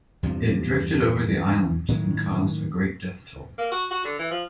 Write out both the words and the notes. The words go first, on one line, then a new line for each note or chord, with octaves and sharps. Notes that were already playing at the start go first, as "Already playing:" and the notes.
It drifted over the island, and caused a "Great death toll".
E2 G2 C3 F3
A2 D#3 F#3 G#3
A#3
F#4
F#4
D3
E3
F3